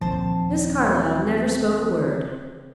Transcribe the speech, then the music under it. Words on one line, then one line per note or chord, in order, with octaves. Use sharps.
Miss Carlyle never spoke a word.
D#2 A#2 F3 C4 C5 A5